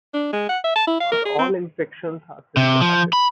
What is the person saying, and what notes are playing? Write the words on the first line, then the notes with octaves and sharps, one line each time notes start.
Not all infections are symptomatic.
D4
G#3
F#5
E5
A5
E4
F5
A#4
G#4
C4
C3
F3
B5